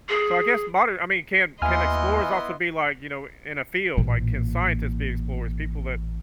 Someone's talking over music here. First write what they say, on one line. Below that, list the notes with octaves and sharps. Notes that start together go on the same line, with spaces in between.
So I guess modern I mean, can can explorers also be like, you know, in a field? Like, can scientists be explorers? People that
G#4
D#2 B3 E4 D#5 F5 G#5 C6 F6
A1 A#2